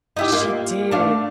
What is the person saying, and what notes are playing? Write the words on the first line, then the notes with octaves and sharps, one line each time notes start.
she did,
D#4 E4 G4
A#3 F4
A3 D4 F5